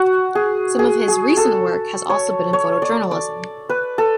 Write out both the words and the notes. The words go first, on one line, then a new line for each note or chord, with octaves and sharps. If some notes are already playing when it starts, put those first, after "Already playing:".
Some of his recent work has also been in photojournalism.
Already playing: F#4
G#4
G#4
G#4
A4
C#5
C#5
D5
D5
B4
A4